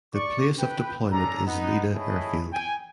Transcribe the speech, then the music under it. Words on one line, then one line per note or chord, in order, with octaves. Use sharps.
The place of deployment is Lida Airfield.
D5 C#6
B4 G5
C#4 D4 A4 A#5
B3 D#4
E4 G#4 C#5 D#5 A5 B5
G5 G#5